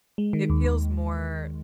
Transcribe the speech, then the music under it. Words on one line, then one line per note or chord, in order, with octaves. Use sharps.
It feels more
G#3
D#3
D#2
D#2